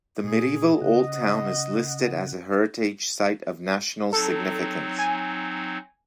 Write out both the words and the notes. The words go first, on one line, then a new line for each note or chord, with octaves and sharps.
The medieval old town is listed as a heritage site of national significance.
A#2 G#4
C#3 D#5 F#5
F#3 C4 D#4 A4
G#5